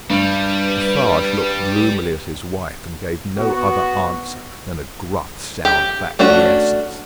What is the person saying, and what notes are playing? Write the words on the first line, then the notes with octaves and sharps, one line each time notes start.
Defarge looked gloomily at his wife, and gave no other answer than a gruff sound of acquiescence.
G2 G3 B4
B3 F#4
G4
A3 C#4 D4 F#4